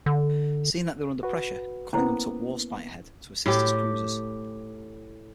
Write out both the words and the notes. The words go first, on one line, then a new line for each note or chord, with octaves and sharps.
Seeing that they were under pressure, Cunningham took "Warspite" ahead to assist his cruisers.
D3
F#4 B4
A#3 B3 C#4 E4 C5
A2 G4